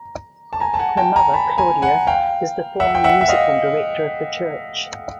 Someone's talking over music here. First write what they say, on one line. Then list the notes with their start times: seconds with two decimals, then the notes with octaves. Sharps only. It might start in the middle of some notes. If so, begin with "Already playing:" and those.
Her mother, Claudia, is the former musical director of the church.
Already playing: A#5
0.53 A5
0.60 G#5 A#5
0.74 A5
0.79 F#5 G#5
0.97 G5 A5
1.16 G#5 A#5
1.34 A5 B5
1.58 G#5 A#5
1.82 F#5 G#5
2.07 F5 G5
2.80 E5 F#5
2.95 G5
3.04 E5 F#5
3.21 E5
3.28 D#5 F5